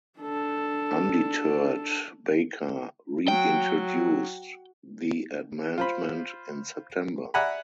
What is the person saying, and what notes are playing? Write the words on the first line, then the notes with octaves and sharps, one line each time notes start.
Undeterred, Baker reintroduced the amendment in September.
D4 A4
F#3 G5
F4 C5 B5
D5 E5 F#5 G#5 A#5 B5